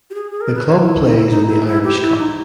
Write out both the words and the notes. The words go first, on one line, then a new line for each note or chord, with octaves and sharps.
The club plays in the Irish Cup.
G4
G#4
G#4
A#4
B4
C#5
E4
D#4
E4
D#4
E4
E4
G4
E4
D#4